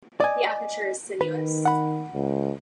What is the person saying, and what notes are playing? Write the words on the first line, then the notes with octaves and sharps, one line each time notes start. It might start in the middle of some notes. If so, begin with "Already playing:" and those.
The aperture is sinuous.
D5 D#5 G#5
D#3 B4
F#5 B5
C#2